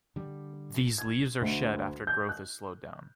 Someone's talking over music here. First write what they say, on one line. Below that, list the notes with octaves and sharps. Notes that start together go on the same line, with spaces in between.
These leaves are shed after growth has slowed down.
D3 G3
G#6
D2
G6
F#6